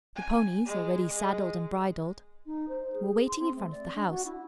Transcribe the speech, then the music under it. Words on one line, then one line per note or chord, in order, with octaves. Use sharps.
The ponies, already saddled and bridled, were waiting in front of the house.
G#5
G#3
G#3
D#4
C5
G#4
C6
C4
A3
D5
D4
F#4
E4